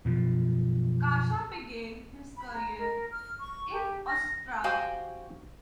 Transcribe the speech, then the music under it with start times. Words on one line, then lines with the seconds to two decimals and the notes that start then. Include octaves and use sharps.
Kasha began his career in Ostrava.
0.05 F#2 B2 F3
2.37 B5
2.53 A#5
2.79 A#4
3.12 F6
3.40 C#6
3.73 G4
4.08 A#6
4.64 F#4 G4 C5 F5 G#5